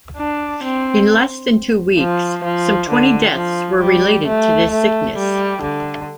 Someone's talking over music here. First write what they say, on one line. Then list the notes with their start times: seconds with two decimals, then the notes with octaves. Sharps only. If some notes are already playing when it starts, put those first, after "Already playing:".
In less than two weeks, some twenty deaths were related to this sickness.
0.17 D4
0.63 C4
1.99 F3
2.44 F3
2.90 D3
3.35 F3
3.81 G3
4.27 A3
4.71 A3
5.17 G3
5.62 D3